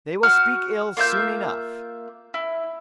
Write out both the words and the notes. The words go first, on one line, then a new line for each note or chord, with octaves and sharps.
They will speak ill soon enough.
F#4 F6
A#3 F4 E5 G6
E4